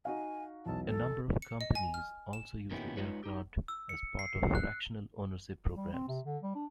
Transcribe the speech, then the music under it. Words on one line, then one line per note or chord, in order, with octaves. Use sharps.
A number of companies also use the aircraft as part of fractional ownership programs.
D#4 F#4 F5 G#5
B1 E2 A5
A4
C#7
D#5
G#5
F6
E7
A#2 D#3 B3 C#4 E4 G4
G#3 D#4 F4 B4 C#5
D#4 G4
E6
C#7
C7
F#6
G3
C4
C3
D3
G3
D4